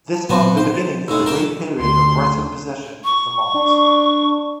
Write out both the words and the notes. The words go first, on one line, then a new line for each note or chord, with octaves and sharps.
This marked the beginning of the brief period of Breton possession of the Mont.
A5
A#2 F#3 B3 C4 F#4
D#4 C5
A6
D#2 A2 G#3 E6
A#4 G5 A5
D2 C6
C#6
D4